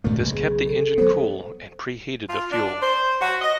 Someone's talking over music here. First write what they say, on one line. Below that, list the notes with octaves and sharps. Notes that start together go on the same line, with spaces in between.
This kept the engine cool, and preheated the fuel.
A2 A3 A#3
B1 C#3
G#4
A4
F#3 B3 A4 C5
F4
D4
C5
F#4
D#5